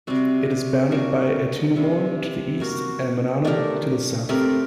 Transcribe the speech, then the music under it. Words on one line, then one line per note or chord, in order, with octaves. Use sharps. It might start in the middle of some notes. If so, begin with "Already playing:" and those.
It is bounded by Ettumanoor to the east and Mannanam to the south.
C3 G3 C4 F#4
A#3 D4 F#4 A#4
C3 G3 C4
A#3 F#4 A#4
A3 D4 G4 A#4
A3 C4 G4 A#4